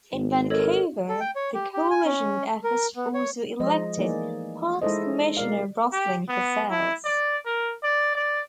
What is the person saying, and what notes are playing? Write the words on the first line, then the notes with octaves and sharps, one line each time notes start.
In Vancouver, the coalition effort also elected Parks Commissioner Roslyn Cassells.
G#1
A4 A#4 C#5 D#5
A4
G5
C#5
G4
G4
G#5
C#4
A#4
B3
C#5
F3 G#3 C5 D#5
E3 A3 A#3 D#4 G#4 D5
G#3 D#4 E4 A4 C5 D#5
B2 G#3 A#4 D5 F5
G4
B3
E4
D5
A#4
D5
D5